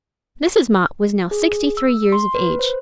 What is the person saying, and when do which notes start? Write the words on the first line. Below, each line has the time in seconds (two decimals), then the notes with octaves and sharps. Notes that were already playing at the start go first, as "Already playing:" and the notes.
Mrs. Mott was now sixty-three years of age.
1.31 G#4
1.77 E6
2.12 C6
2.35 B4
2.59 C5